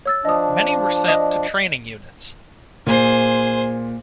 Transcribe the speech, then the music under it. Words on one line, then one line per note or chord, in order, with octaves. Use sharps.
Many were sent to training units.
C#5 E6 A6
F3 D4 D#5 D#6
D5 D#5 D#6
A#2 G#4 C5